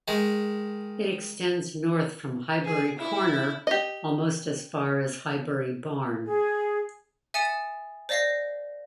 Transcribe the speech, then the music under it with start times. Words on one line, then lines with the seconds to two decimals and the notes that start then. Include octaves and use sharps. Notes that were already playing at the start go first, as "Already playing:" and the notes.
It extends north from Highbury Corner almost as far as Highbury Barn.
0.08 D#3 G#3
2.65 G#4
2.99 E4
3.67 G4 D#5
6.26 G#4
7.34 E5 G#5 D#6 A6 C#7 E7
8.09 C5 D5 D#5 F5 A#6 C7